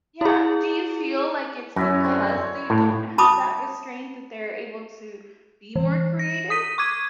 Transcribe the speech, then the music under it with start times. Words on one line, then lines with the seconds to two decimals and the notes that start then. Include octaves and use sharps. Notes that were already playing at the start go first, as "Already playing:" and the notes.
Yeah, do you feel like it's because they don't have that restraint that they're able to be more creative?
0.21 E4 G#4
1.76 F#2 C#4 E4 F#4
2.04 D3 C4
2.28 C#5
2.70 A2
3.18 A5 B5 D6 D#6
5.76 E3
6.19 A#6
6.50 D#6 B6 D#7
6.78 C#6 D6 G#6 D#7